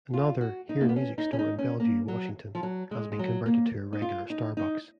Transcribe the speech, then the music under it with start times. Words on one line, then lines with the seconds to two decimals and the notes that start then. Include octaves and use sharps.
Another Hear Music store in Bellevue, Washington has been converted to a regular Starbucks.
0.14 F4
0.41 F#4
0.69 D#4
0.81 A#3
0.89 B3
0.96 C#4
1.18 D#4
1.33 C#4
1.39 D#4
1.59 C#4
1.80 A#3
2.08 F#3
2.55 F3
2.63 F#3
2.91 G#3
3.12 G#3
3.19 F#3
3.46 A#3
3.93 D#4
4.02 F4
4.30 D#4
4.57 D#4